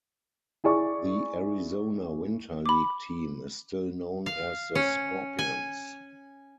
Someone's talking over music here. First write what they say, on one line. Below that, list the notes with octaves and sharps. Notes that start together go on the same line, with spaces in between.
The Arizona Winter League team is still known as the Scorpions.
E4 G#4 D5 C#6
B5 D6
F5
C#4
G#5